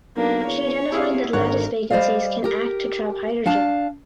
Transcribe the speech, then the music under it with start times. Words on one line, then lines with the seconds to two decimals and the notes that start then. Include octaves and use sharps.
She identified that lattice vacancies can act to trap hydrogen.
0.16 B1 A#3 D4
0.46 E2 C#5
0.92 C3 E4 G#4 F5
1.33 G#1 D3 A#4 C#5 F#5
1.90 G3 C5 D5 D#5 F5
2.44 G4 A#4
3.46 D4 F5 A5